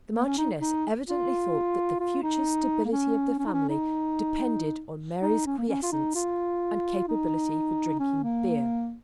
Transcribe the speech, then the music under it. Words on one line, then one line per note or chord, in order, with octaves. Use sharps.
The Marchioness evidently thought that the future stability of the family depended on Mary's quiescence and capability for drinking beer.
A#3
C#4
D#4
D#4
F4
F4
D#4
A#3
C#4
C#4
D#4
C#4
D#4
D#4
C#4
A#3
C#4
F4
D#4
F4
D#4
C#4
A#3